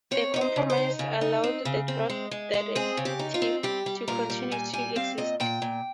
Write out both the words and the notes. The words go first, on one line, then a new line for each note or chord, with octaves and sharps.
The compromise allowed the draft Directive to continue to exist.
C4 C#5
D#4 C#5
C5
C#3
C5
D#4
C#3
D#4
C4
C#3
C4
G#3
G#3
G#3
C4 G#4
C#3
G4
D#4
F4
C4
G3 G4
G3
A#2 A#4
G3
A#2 G#5
G3 G#5
C4 F5
A#2 D#5
A#2 G5
A#2